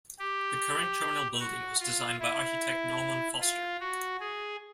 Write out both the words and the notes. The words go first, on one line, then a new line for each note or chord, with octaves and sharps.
The current terminal building was designed by architect Norman Foster.
G4
F#4
F4
E4
F4
F#4
G#4